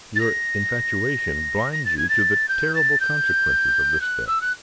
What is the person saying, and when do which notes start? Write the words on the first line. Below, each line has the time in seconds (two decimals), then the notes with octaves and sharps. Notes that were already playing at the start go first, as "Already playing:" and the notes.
Your infatuation blinds you to the terrible consequences of the step.
0.16 A6
0.20 A#6
1.72 A#6
1.85 A6
1.98 G#6
2.09 A6
2.49 G6
2.75 A6
3.00 G6
4.01 F#6
4.28 E6
4.42 F#6